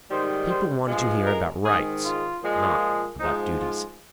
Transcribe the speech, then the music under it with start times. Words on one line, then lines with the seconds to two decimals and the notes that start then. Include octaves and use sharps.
People wanted to hear about rights, not about duties.
0.10 G#2 D#3 G3 C5
0.50 C5
0.88 G2 F3 G#3
1.27 A#4
1.65 G#2 D#3 G#3 G#4
2.04 F4
2.43 A#2 F3 G#3
3.20 G#2 F3 G#3 D#4
3.59 F4